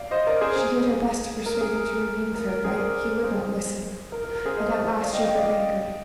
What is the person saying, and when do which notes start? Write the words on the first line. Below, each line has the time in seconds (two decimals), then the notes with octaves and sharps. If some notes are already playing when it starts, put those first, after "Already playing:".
She did her best to persuade him to remain with her, but he would not listen, and at last she grew angry.
Already playing: D5 F5
0.11 C5 D#5
0.27 A#4 D5
0.41 G#4 C5
0.56 G#4
1.46 A#4
1.61 G#4
1.76 A#4
2.35 A#4
2.49 A#4
2.64 G#4 C5
2.79 A#4 D5
3.24 G#4 C5
4.12 A#4
4.25 A#4
4.36 A#4
4.46 G#4 C5
4.57 C5 D#5
5.02 D5 F5
5.13 D#5 G5
5.24 D#5 G5
5.35 D5 F5
5.47 D#5 G5